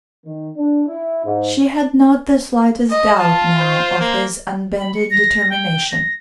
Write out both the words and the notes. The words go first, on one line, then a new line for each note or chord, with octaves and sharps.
She had not the slightest doubt now of his unbending determination.
D#3
D4
E4
G#2
D#5
F4 A5
C5
A#3
B5
C#7
A#6
G5
A#6